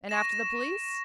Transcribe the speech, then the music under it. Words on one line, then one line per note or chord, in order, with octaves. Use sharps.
And after the police?
C#6 A#6 E7